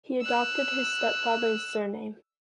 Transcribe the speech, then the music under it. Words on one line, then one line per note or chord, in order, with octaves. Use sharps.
He adopted his stepfather's surname.
E6 F#6